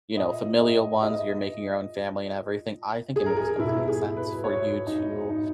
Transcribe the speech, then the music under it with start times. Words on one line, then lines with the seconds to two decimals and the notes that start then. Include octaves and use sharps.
you know, familial ones, you're making your own family and everything, I think it makes complete sense for you to
0.17 A#2 D#5
0.61 D#5
1.03 D#5
3.16 G#4
3.26 A#4
3.37 G#4
3.59 B2 E4
3.88 G#4
4.17 B4
4.44 C#5
4.87 D#4
5.30 D#4